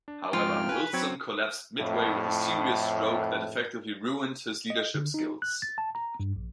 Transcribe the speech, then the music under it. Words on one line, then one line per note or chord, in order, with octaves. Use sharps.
However, Wilson collapsed midway with a serious stroke that effectively ruined his leadership skills.
D4
F2 G#2 F4 G5 F6
B4 G#5 F#6
F#3 C4 G5 C#6 G#6
F2 A2
D#5
D3
D#4
F#6
A6
A5
A#5
G2
A#1